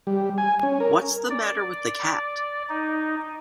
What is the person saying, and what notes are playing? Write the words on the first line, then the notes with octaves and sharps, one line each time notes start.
What's the matter with the cat?
G3
G#5
C#4
A#4
D5
D#4